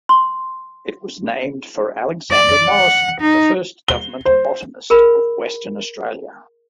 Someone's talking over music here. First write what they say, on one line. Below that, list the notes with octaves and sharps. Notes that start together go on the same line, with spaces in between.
It was named for Alexander Morrison, the first Government Botanist of Western Australia.
C6
D5
F#5
D#4
G7
C5
G#4 A#4 B5